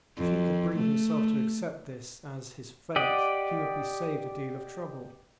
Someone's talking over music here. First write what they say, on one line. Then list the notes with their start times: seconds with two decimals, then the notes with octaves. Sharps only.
If he could bring himself to accept this as his fate he would be saved a deal of trouble.
0.17 F2
0.77 A3
2.96 G4 D5 D#5 F#5